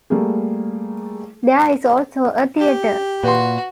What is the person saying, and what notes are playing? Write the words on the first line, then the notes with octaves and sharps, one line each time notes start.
There is also a theater.
G3 A3 A#3 G#4
G4
A#2 F#4 B4 C6